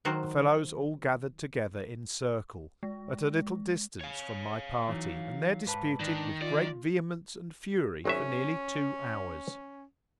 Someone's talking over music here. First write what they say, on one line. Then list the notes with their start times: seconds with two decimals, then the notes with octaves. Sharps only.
The fellows all gathered together in circle, at a little distance from my party, and there disputed with great vehemence and fury for nearly two hours.
0.05 D#3 F#3 F#4 C5
2.83 G#3
4.01 C#5 F5
4.88 E3 F#3 D#4
5.66 G#2 B4 A5
6.00 D#3 D4
6.42 F4 D5
8.05 G#1 F#3 C#4 E5